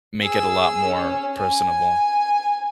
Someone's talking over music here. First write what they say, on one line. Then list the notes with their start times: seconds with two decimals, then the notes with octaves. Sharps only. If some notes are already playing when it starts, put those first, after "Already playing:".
make it a lot more personable.
0.23 G#4 E6
0.86 C#4
1.37 G#5